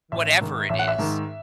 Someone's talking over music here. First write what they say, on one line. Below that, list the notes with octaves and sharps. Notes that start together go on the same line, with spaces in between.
whatever it is.
A1 E5
G#2 D#3
A1 E5
F#5
E5
G#2 D#3